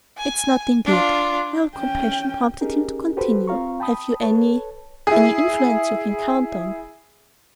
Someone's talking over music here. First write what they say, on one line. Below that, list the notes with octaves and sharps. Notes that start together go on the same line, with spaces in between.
"It's not, indeed." Real compassion prompted him to continue: "Have you any--any influence you can count on?"
G#5
D4 F4
C#4 G5
C#4 D#4 G4 G#4 A#4
F#4 G4 A4 B4 C5
C4 F4 F5 A#5 C#6
G5 A5 B5 D#6
A4 B4 C#5 A5
E4 G#4